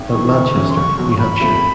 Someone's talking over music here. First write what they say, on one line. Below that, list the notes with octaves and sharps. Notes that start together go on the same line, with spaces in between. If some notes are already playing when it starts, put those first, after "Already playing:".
And Manchester, New Hampshire.
Already playing: G#1
G#2 E3 C#6
D2
C#3 F#3 A3 C#4
C6
C#2 C#6
B2 F#3
A#2 B5
F3 A3 C4 F4